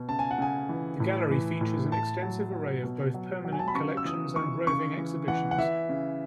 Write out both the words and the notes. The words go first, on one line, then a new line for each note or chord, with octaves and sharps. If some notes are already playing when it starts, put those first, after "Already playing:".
The gallery features an extensive array of both permanent collections and roving exhibitions.
Already playing: B2
C#3 A5
G#5
F#5
C#3 G#5
E3
A2
E3
A2
A2 A5
F#3
F#3
B2
F#3
F#3
G#5
A5
B5
C#3 C#6
E6
E3 D#6
E3 C#6
C#3 C#6
E3
E3 F#5
F#5
E3 E5
C#3